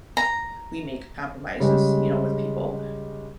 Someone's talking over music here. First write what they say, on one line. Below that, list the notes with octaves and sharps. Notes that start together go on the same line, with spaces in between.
we make compromises, you know, with people.
A#5
C#3 G3 G#3